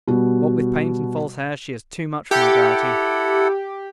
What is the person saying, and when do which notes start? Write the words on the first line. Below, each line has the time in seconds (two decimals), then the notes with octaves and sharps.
What with paint and false hair, she is too much for my gravity.
0.07 B2 G3 F#4
2.31 E4 G4 A4 F#5